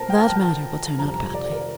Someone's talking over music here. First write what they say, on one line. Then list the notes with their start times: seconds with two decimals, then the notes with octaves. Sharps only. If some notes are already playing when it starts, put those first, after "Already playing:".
That matter will turn out badly.
Already playing: A#2 A3 C4 A#4 C5 A5
0.10 G5
0.28 A5
0.36 G5
0.42 A5
0.98 F2 C3 G3 A#5
1.16 A#5
1.34 D5
1.52 A#4